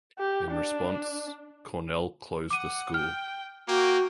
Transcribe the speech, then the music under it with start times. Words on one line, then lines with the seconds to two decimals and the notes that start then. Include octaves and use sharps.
In response, Cornell closed the school.
0.19 G4
0.51 D4
2.50 F#5 D6 D#7
2.94 G5 F6
3.68 A#3 F#4 G5